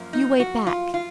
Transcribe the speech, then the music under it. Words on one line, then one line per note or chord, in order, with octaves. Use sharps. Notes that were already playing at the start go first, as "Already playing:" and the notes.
You wait back.
Already playing: F#2 F3 A#3
D#4
F#4
F4
F4